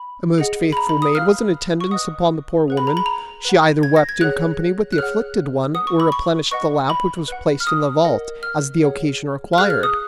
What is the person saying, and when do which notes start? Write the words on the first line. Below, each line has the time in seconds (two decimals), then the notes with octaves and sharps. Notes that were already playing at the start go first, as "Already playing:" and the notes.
A most faithful maid was in attendance upon the poor woman; she either wept in company with the afflicted one or replenished the lamp which was placed in the vault, as the occasion required.
Already playing: B5
0.38 G#4 D#5 F#5
0.72 B5
0.77 A#5
0.89 B5
1.02 D#6
1.15 B4 F5 F6
1.81 C#6
1.91 B4 D#5 F#5 D#6
2.68 G#4 B4 F#5
2.77 B5
2.87 A#5
2.97 B5
3.06 A#5
3.45 B4 F#5
3.83 G#6
3.96 A#6
4.09 G#6
4.21 G#4 C#5 F#5 F#6
4.92 F#6
4.98 G#4 C#5 F#5 F6
5.75 B4 F#5 D#6
5.87 C#6
6.00 B5
6.12 C#6
6.51 B4 D#5 F#5 C#6
6.90 B5
7.28 B4 F#5
7.60 F6
7.67 D#6
8.05 A#4 D#5 F#5
8.43 F6
8.82 G#4 C#5 F#5
9.53 F6
9.58 G#4 B4 F5 F#6
9.70 F6
9.83 D#6